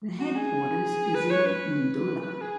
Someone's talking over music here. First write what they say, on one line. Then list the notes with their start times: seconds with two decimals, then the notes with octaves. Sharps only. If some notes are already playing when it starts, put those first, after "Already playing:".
The headquarters is in Ndola.
0.20 F#4
0.36 G#4
1.15 B4
1.30 C#5
1.46 B4
2.41 G#4